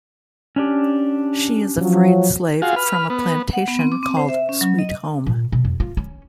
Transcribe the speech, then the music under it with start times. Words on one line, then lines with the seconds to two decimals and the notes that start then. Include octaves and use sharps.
She is a freed slave from a plantation called Sweet Home.
0.56 C#4 D4 G4
1.81 F3 F#3
2.62 F4 F#4 G#4 F5
2.76 B4 F6
3.10 B3
3.53 F#5
3.68 B3
3.79 C4
3.92 D6
4.03 C4
4.17 C5
4.29 E5
4.49 C#4
4.61 F#3
4.79 D#5
5.27 A#2
5.52 B2
5.65 F2
5.80 F4
5.97 C#4